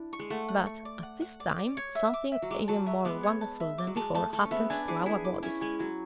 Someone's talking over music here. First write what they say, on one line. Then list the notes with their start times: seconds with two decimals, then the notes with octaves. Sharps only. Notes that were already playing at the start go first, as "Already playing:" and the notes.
But at this time something even more wonderful than before happens to our bodies.
Already playing: D4 E4
0.13 C#6
0.19 G#3
0.30 A3 F#5
0.48 F#5
0.66 C#6
0.85 D5
1.03 F#5
1.22 F#5
1.40 D5
1.58 D5
1.77 C#5
1.95 E5
2.14 D6
2.32 E5
2.42 F#3
2.51 G#3 D6
2.68 F#3 A5
2.86 G#3 E5
3.05 G#3 B3 D6
3.23 C#5
3.41 A5
3.60 E5
3.78 D6
3.87 F#3
3.96 G#3 A5
4.15 A3 A5
4.33 A3 A5
4.45 C#4
4.51 G#3 B3 E5
4.70 B3 D4 G#5
4.88 E4 G#4 D6
5.06 E4 G#4 G#5
5.24 D6
5.43 C#4 E4 G#5
5.61 G#3 G#5
5.79 F#3 G#5